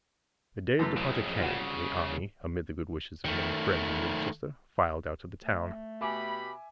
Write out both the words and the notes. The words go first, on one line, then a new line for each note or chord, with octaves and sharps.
The day of departure came and the army, amid the good wishes of many friends in Winchester, filed out of the town.
F#2 E3 A3
F2 C#3
C2 C#3 F4 F#4
D#3 A3
A3
B2 G4 E5 G#5 B5 D6